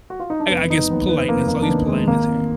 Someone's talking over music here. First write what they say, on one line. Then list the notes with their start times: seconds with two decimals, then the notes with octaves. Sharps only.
I I guess, politeness- I'll use politeness here-
0.10 F#4
0.20 F4
0.30 D#4
0.40 D4
0.50 F1 B3
0.70 D#4
0.89 D#2 D#3 B3
1.09 B3
1.28 F1 A#3
1.48 A#3
1.62 D4
1.68 D#2 D#3 B3
1.87 G#3
2.07 G#1 A#3